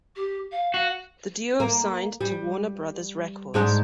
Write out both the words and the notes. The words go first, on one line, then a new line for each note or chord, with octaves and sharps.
The duo signed to Warner Brothers Records.
G4
F5
F#4 F5
A#3
G3
G#2 G#3 D4